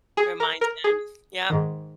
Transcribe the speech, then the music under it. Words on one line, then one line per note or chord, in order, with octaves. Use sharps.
Reminds him, yep.
G#4
A#4
A#4
G#4
G#2 D#3